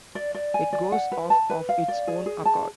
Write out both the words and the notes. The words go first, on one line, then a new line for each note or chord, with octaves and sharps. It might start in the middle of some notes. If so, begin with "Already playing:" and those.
It goes off of its own accord.
D5
D5
G#5
D5
F#5
B4
A5
B4
F5
D5
G#4
G#4
A5